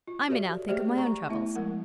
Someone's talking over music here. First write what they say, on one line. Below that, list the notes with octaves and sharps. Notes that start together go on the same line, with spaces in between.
I may now think of my own troubles.
F4
F#4 G4 A4 C#5 D5 E5
A3 G4 G#4 C5 D5 E5
C5 A#5 C#6
A3 B3 E4 E5
F3 G#3 A#4 F#5